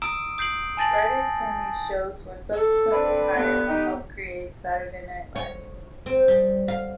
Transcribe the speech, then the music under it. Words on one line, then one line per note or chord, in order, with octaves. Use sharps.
Writers from these shows were subsequently hired to help create Saturday Night Live.
A#5 D#6 E6 D7
D#6 G6 C7 D7 F#7
G#5 A5 A6 A#6 F#7
A4
C4 D4 B4
D2 G2 B3
D#4 G4
C#5
C4
G3
F5